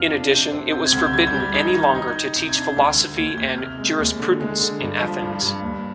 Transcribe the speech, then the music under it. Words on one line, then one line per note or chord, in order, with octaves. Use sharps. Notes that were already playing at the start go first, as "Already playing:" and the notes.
In addition, it was forbidden any longer to teach philosophy and jurisprudence in Athens.
Already playing: F2 F3 F6
D4
C3 G6
C4
C3 G6
G#6
D2
G6
G3 G#6
G6
G3
G#6
D#4 G6
G#6
D#3
G6
D#4 G#6
G6
D#4
C3 G6
G#6
D4
G6
D2
D2
D#2 G#6
G6
D#2 G6
G6
C3 F6
G#3
D#2
D3
G#3
D3
G2
F3
G2
G2
D#2